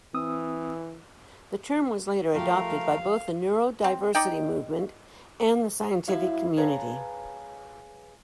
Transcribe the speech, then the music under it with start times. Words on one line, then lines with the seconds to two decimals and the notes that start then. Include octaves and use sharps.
The term was later adopted by both the neurodiversity movement and the scientific community.
0.14 E3 C4 D#6 E6
2.34 F3 A3 G4 A#4 F5
3.84 C4
4.15 D#4 D5 D#5 G5
6.07 F#2 F#3 E4 F5
6.57 G#4 B4 C#5 F5 A5 A#5